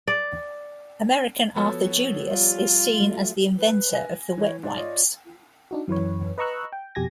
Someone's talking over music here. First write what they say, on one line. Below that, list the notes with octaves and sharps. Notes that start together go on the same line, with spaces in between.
American Arthur Julius is seen as the inventor of the wet wipes.
D5
F3 B3 F#4 A4 C#5
G3 F4
F#3 A3
B4
G#5 A#6
E3 C#5
G#2 D5
F4 C#5 D#5
D4 D#4 F#4
F#2 E3 B4 C#5
B4 D#5 A#5 C#6 E6 F#6
G5
F2 B2 G4 G#5 G#6 A#6